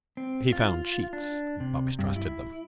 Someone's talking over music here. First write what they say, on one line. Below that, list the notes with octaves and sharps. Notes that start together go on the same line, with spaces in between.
He found sheets, but mistrusted them.
C4
F4
D4
C3
G2
E4